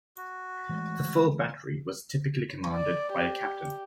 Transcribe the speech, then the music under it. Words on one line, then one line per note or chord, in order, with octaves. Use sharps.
The full battery was typically commanded by a captain.
F#4
E3 G#3 A3
D5
G4